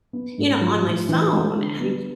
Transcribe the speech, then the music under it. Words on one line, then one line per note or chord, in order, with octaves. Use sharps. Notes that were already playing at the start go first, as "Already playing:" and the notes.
you know, on my phone, and
B3
G#2
F3
A2
E3
G#3
D3
B3